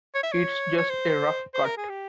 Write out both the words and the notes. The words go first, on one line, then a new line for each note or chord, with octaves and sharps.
It's just a rough cut.
C#5
E5
C#5
C#5
C5
C5
A#4
G#4
G4